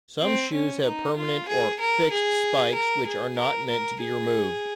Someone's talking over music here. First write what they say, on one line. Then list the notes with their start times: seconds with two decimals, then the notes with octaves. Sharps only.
Some shoes have permanent or "fixed" spikes which are not meant to be removed.
0.22 C4
0.53 C#4
0.85 D#4
1.16 F4
1.48 G#4
1.80 A#4
2.11 G#4
2.74 A#4
3.06 G#4
3.38 A#4
3.70 A#4
4.01 G#4